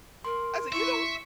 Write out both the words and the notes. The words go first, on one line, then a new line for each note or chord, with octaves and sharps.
said, "You don't"
A#4 C6
E4 E5 C#6